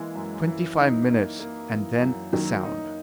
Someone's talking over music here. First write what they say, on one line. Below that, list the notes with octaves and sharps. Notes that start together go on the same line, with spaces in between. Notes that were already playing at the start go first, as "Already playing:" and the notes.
Twenty-five minutes, and then a sound.
Already playing: E3 G#3 A#3
F#2
E3
D#4
A#3
A#3
E3
F#2
D#3 F#3 A#3
D#4